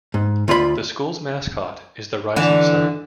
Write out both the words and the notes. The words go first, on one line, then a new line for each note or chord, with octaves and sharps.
The school's mascot is the Rising Sun.
G#2
D2 F4 D5 B5
D3 E3